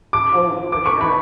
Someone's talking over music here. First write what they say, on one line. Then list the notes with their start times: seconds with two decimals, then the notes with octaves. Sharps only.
Oh, for sure.
0.13 D6
0.72 D6
0.86 C#6
1.01 B5